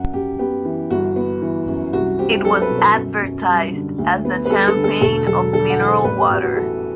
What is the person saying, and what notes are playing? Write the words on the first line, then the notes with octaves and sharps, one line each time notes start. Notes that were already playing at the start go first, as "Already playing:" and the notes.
It was advertised as the Champagne of mineral water.
Already playing: F#2 F#5
F#2 G4
B3 G4
E3
G1 F#4
B3
E3
F#2
C2 F#4
C4 G4
F#3 A4
B4
B2
B4
F#2
F#2
G3
D3
D2
B3
B4
G3 A4
A4
D3
A4
E1 A4
F#3 A4
D3 A4
F#5
E2
C5
A1 B4
G4
A1 F#4
F#4
E3 A4